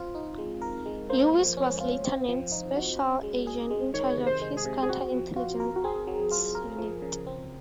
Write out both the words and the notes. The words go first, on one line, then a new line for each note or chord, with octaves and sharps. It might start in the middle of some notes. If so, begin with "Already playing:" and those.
Lewis was later named special agent in charge of his counterintelligence unit.
Already playing: C4 F4
D#4
G#3
A#4
G#3
A#3 C5
F3
C#4
F4
C4
F3
D#4
F#4
C#4
G#3
G#4
G#3
D#3 C#5
C3
C5
G#3
G#4
C3
G#4
C4 F#4
F3
F4 F#4
A#4
F#4
C4 G#4
F#3
F4
A#4
F3
C#3
C4